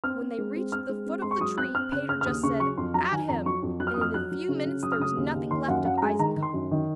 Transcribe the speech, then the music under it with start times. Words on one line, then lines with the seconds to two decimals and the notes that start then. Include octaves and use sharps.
When they reached the foot of the tree Peter just said: 'At him!' And in a few minutes there was nothing left of Eisenkopf.
0.04 C4 F6
0.21 C4
0.38 G#3
0.56 C4
0.72 C4 F6
0.89 G#3
1.06 C4
1.22 G#3 C6
1.31 C#6
1.40 F#3 D#6
1.58 C4 F#6
1.75 C4 F6
1.92 C#3 F#6
2.08 C#3 F6
2.21 F6
2.26 D#2 D#6
2.43 C#3 C#6
2.60 F#3 C#6
2.78 F2 C6
2.94 F#3 A#5
3.12 D#3 G#5
3.29 F2 A#5
3.46 F#3 C#6
3.63 F2
3.80 F#3 F#6
3.87 F6
3.94 D#6
3.97 F2 F6
4.14 F#3 F#6
4.32 F#3
4.49 C#3
4.66 C#3
4.83 F#3 D#6
4.92 F6
4.99 C#3 D#6
5.17 D#2
5.34 D#2
5.51 D#3 C6
5.68 F#2 F#5
5.85 F#2 F#5
5.98 A#5
6.02 G#3 G#5
6.19 D#3 A#5
6.36 D#3
6.42 C6
6.54 F#2
6.71 D#3